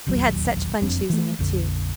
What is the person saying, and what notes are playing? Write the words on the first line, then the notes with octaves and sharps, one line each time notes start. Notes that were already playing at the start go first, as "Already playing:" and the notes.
We had such fun choosing it, too.
E1 A#1 D#2 F#3
F#1 F2 C4 D4
E3 A3
A#1 F2 D3